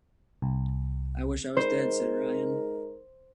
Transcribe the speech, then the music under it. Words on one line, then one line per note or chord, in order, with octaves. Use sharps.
"I wish I was dead," said Ryan.
C2
G#3 D#4 A#4 C5